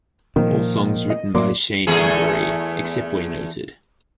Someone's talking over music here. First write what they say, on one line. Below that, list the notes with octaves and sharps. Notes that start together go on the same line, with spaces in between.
All songs written by Shane Embury, except where noted.
A#2 D#3 F3
D#5
A2 F#3 A#3 D5 C6 D6
E2 A3 G#4